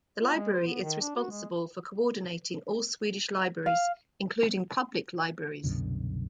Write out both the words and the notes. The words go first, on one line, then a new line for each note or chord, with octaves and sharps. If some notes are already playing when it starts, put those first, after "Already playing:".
The library is responsible for coordinating all Swedish libraries, including public libraries.
F4
G#3
C5
B3
D#3
D4
F#4
G#3
F5
C2 F#2 B2 D3